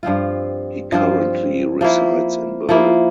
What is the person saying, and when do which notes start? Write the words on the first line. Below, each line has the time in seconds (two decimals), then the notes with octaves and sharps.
He currently resides in Berlin.
0.03 G2 F3 C4 F4
0.92 G2 F3 C4 F4
1.81 F3 A#3 E4
2.69 F3 A#3 E4